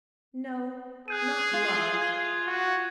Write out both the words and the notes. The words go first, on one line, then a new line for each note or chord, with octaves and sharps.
No: not love.
G#4 F#6 G6 D#7
F4
G#6
F#4